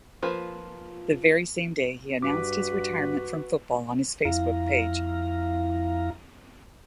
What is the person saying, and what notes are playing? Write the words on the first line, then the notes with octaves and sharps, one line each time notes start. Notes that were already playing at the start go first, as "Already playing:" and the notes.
The very same day he announced his retirement from football on his Facebook page.
F3 A#3 F4 B4 C5
G2 F#4 B4 D6
F2 E4 F5 A#5